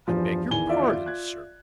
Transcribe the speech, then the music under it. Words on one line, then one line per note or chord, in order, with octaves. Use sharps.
I beg your pardon, Sir.
E2 G2 E3 F3
E2 D#3 E3 G#5 G7
F4 D5 E5
F#6 G#6